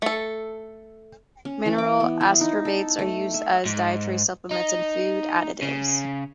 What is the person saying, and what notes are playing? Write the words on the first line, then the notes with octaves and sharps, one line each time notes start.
Mineral ascorbates are used as dietary supplements and food additives.
A3 A4
C#4
E3
D6
B3
E4
D#4
A4
A3
E5
G#2
D#4
C#3